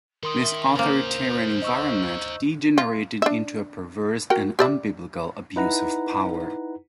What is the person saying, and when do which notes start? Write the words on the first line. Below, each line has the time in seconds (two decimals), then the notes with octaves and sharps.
This authoritarian environment degenerated into a perverse and unbiblical abuse of power.
0.23 D#3 A#4 C6 D#6
0.41 E5
0.76 C#3 A#3 D#4 C5 F5
1.62 D#5 C#6 E6
2.78 F4
3.22 D4 E5
4.30 F#4 A#4 G5
4.59 G4 D5 E5
5.56 D#4 E4 B4 F#5 A#5